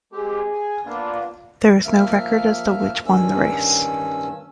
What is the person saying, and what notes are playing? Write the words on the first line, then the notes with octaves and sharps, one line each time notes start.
There is no record as to which won the race.
G#3 C4 G4 G#4
G#5
A#3 B3 D4 F4
F3 A#3 E5 F6
G2 D#3 C#4 E6